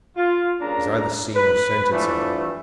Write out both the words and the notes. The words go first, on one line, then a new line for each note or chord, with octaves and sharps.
He's either seen or scented something.
F4
G2 A#2 C#3 D4 A#5
B4
G2 E3 F3 G3 A3